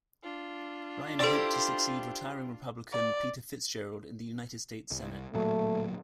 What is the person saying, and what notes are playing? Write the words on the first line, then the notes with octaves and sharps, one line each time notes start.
Ryan hoped to succeed retiring Republican Peter Fitzgerald in the United States Senate.
D4 F4
C4 E4 G4 A4 D5
D5
C2
D1 A#2 F#3 A3